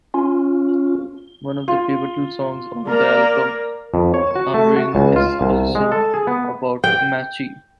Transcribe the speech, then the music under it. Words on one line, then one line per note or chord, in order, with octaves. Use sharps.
One of the pivotal songs on the album, "Ammaring", is also about Ammachi.
C#4 F4
F4
A#3 A#4 D5
F2
C#5
F#4
A3
F#4
C#2
F4
C2
G#3
A4
G#4
B3
G5